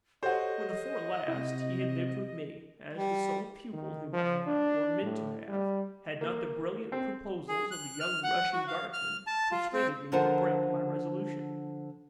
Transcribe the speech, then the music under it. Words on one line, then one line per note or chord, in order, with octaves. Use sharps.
For the four last he had lived with me as the sole pupil whom I had, or meant to have, had not the brilliant proposals of the young Russian guardsman persuaded me to break my resolution.
F#4 G4 A4 C5 C#5 D#5
C3 E4
G3
D#3
F3
D4
A2
G3
A#3
C4
G#4
F#6
F6
F#5
F#4
F5
F6
A5
F4
C4
D3 F3 F4 A#4 C5 F#5